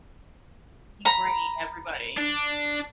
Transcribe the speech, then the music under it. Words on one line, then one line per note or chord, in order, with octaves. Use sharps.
you bringing everybody.
A#5 B5
D4